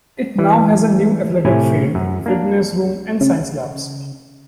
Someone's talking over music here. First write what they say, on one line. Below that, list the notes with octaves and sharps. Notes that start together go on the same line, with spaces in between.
It now has a new athletic field, fitness room, and science labs.
E3
A2 C3 C#4 E4 G#5
F#2
A#3 D4
C#3